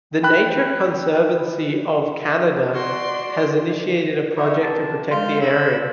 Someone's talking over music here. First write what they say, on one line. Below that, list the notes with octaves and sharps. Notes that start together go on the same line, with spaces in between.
The Nature Conservancy of Canada has initiated a project to protect the area.
G5 B5 F#6
F#4 D5 C6
D#4 E4 C#5
C3 A5
G#3 F5 C6 F6 G6
C#5 B5 E6